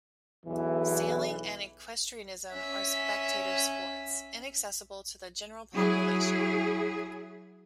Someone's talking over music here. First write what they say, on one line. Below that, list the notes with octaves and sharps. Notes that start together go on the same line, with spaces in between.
Sailing and equestrianism are spectator sports, inaccessible to the general population.
B1 E2 E3
C#4 E5
F#3 E4 G#4